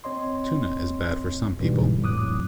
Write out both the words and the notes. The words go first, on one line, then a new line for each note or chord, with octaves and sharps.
Tuna is bad for some people.
C4 C#5 D#5 C6
G#2 B2 D3 E3 G3
F2 A2 F#3 D6 D#6 F#6